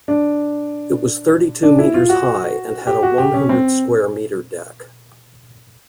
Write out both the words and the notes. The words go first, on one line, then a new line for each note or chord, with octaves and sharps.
It was thirty-two meters high, and had a one-hundred square meter deck.
D4
D4
E4
F4
F#4
G4
F#4
G4
C#4
C4